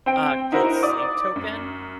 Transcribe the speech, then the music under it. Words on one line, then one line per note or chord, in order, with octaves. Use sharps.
uh, called Sleep Token.
C4 G5 D7
D#4 E4 F#4 A#4 C5 A#5
D5 D6 D#6
F#2